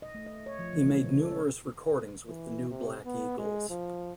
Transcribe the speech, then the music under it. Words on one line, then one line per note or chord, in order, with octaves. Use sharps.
He made numerous recordings with the New Black Eagles.
D#5
A3
D#5
C#5
F3
E3
G#3
C#3
A4
C#5
E3
C3
B3
G#3
F3